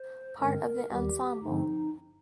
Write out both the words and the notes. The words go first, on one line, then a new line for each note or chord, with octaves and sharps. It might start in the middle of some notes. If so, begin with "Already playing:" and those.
Part of the ensemble.
Already playing: C5
G2 D3 G#3 C4 A#4
D#2 D#3 G3 G4
G2 D3 F3 C4 D#4